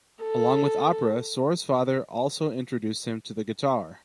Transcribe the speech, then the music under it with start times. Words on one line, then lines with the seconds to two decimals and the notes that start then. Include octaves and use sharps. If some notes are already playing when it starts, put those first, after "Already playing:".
Along with opera, Sor's father also introduced him to the guitar.
0.24 A4